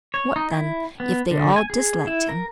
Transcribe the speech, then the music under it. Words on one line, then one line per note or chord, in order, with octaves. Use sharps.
"What, then, if they all disliked him?"
C#5
D#4
E4
B3
D3
G#5
G#4
E4
A#4